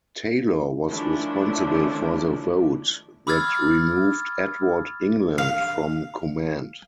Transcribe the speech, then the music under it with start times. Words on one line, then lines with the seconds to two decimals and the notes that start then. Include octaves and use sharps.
Taylor was responsible for the vote that removed Edward England from command.
0.89 D#3 F3 A3 C#4 D4 E4
3.27 B5 D6 E6 F6 G#6 A6
5.38 F5